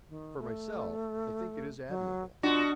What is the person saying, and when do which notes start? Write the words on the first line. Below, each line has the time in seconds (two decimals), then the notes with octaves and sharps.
For myself, I think it is admirable.
0.09 D#3
0.39 A3
1.89 F#3
2.43 B2 D4 F4 F#4